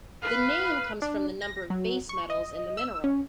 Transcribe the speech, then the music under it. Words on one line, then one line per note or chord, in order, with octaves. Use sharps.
The name comes from the number of base metals in the mineral.
B4 F5
D4
A#6
F#3
C#6
D#5
E6
C#4